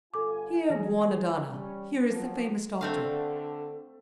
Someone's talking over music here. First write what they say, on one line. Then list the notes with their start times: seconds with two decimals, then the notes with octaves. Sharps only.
Here, buona donna! here is the famous doctor.
0.14 G1 F4 A4 G#5 D6
0.70 E3 G#4 A#6
1.40 G3 C#4
2.09 F3 F#3
2.81 D3 A3 C4 F5